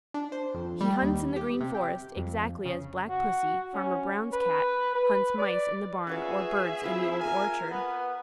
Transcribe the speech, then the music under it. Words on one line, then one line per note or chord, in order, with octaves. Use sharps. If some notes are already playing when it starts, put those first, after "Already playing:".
He hunts in the Green Forest exactly as Black Pussy, Farmer Brown's Cat, hunts Mice in the barn or Birds in the Old Orchard.
D4
C5
F2
G3
D#2
G4
C3
G4
F2
C#3
F#4
C#4
B4
B4
D5
C#4 F4 F#4 G#4 B4 E5
C4 E4 F4
A#4 G#5
B3 B4